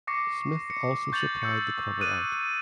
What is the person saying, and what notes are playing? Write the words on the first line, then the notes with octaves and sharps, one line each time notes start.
Smith also supplied the cover art.
C#6 D6 A#6 C7 C#7
C#7
C#6 G6 A6 C#7 F7 F#7
E6 G6 C#7
D#6 F#6 D#7